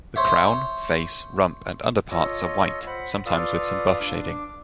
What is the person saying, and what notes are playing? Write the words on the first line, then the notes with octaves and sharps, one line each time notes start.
The crown, face, rump and underparts are white, sometimes with some buff shading.
C5 C#5 E5
F4 A4 C#5 D#5
C5 F#5 B5
F4 A4 B4 D5 F5 D#6
D4 D6